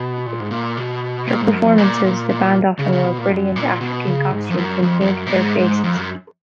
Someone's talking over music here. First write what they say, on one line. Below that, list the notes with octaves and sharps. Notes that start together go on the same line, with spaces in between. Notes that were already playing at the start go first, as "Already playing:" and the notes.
For performances, the band often wore brilliant African costumes and painted their faces.
Already playing: B2
A#2
G#2
A#2
B2
A#2
G#2
F#2
F2
A#2
A#2
A#2
C#3
C#3
B2
A#2
F#2
A#2
B2
C#3
G#2
F2
F#2
F2
F2
F#2
A#2
G#2
G#2
F2
F#2